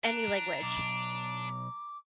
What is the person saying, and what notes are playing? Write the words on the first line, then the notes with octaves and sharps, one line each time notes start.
any language,
D4 A#5 F#6
B1 D6